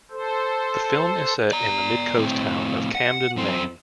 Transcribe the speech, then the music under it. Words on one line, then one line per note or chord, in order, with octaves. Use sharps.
The film is set in the Mid-Coast town of Camden, Maine.
A4 C5
D5 A#5
A2 C4
F#5
F#2 C4